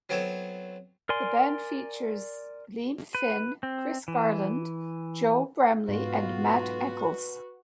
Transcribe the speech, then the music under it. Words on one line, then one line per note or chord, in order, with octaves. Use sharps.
The band features Liam Finn, Chris Garland, Joe Bramley and Matt Eccles.
F#3 B3 C4 A4 C#5
A#4 D5 G#5 C6
B4
C4
E3
B1 G#2 B3 F4 F#4 B4